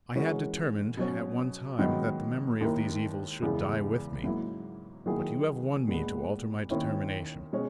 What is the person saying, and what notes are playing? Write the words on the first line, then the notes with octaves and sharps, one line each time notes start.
I had determined at one time that the memory of these evils should die with me, but you have won me to alter my determination.
E3 G#3 C#4 F#4 A#4
B2 F#3 C#4
G#2 D#3 F#3 B3 D#4
D#2 D#3 A#3 E4 A#4
E2 C#3 G#3 B3 E4
G#2 F#3 A#3 E4
D#3 F#3 A#3 E4 G#4
A#2 G#3 B3
D#2 D#3 A#3 C#4 E4
B2 G#3 C#4